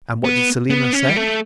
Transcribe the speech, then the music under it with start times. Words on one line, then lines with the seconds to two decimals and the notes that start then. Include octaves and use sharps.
And what did Selina say?
0.24 B3
0.70 B3
0.93 C#4
1.09 G3
1.16 A3